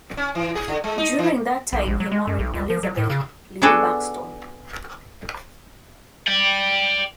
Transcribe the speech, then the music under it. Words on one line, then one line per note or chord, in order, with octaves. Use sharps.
During that time, he married Elizabeth "Libbie" Buxton.
C#4
E3
G#4
D3
G#3
D#4
E3
B1
A#1
F#3
G#3
F#2
B1
C#2
F3
F#3
A2
C#3
B3 D4 F#4 G#4 A4
D5 G5